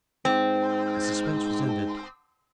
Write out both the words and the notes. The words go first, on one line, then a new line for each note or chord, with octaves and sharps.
The suspense was ended.
G#2 C4